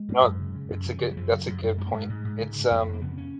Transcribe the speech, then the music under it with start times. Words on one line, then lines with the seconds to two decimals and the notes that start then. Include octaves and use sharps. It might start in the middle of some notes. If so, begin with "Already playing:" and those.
No. It's a good that's a good point. It's, um,
Already playing: G#3
0.09 G#2
0.24 F#2
0.40 C#3
0.55 C#3
0.70 F#2
0.86 C#3 F3
1.01 C#3
1.11 F#3
1.17 F#2 F3
1.32 C#3 F#3
1.48 F#2 F#3
1.63 F#2 F#3
1.78 G#2 G#3
1.86 A#3
1.93 G#2 G#3
2.09 G#2
2.24 G#2
2.40 C#3
2.56 C#3
2.71 F2 A#3
2.86 F2
2.93 A#3
3.01 C#3 B3
3.17 C#4